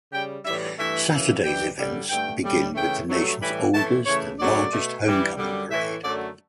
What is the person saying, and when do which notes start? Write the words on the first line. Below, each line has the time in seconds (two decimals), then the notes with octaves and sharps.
Saturday's events begin with the Nation's oldest and largest Homecoming Parade.
0.12 C#3 G3 G5
0.45 A2 E3 G3 E5
0.78 G2 E3 A3 E5
1.11 F#2 C#3 E3
1.43 F#2 E3 G3 G5
1.77 F#2 D3 G3
2.09 G2 D3 A3 G5
2.42 A2 G3
2.75 C#3 E3 A3 G5
3.08 G2 F#3 A3
3.40 A2 E3 G3 B5
3.73 A2 E3 A3 A5
4.06 C#3 E3 A3 C#5
4.39 F#2 C#3 F#3 A3 D5
4.72 B2 A3
5.05 G2 E3 G3
5.37 F#2 D3 G3
5.70 A2 E3 A3 E5
6.03 F#2 D3 F#3 A3 D5